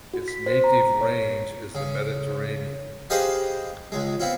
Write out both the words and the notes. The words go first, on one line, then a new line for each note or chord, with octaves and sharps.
Its native range is the Mediterranean.
F#4
B6
C5
A#5
C#5
C#3
G4 G#4 B4 C5 D#5 F5
C#2 G#3
B3 C4 E4 F4